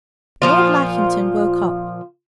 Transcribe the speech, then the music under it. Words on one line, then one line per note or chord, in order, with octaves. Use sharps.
Lord Lackington woke up.
A#2 F3 F4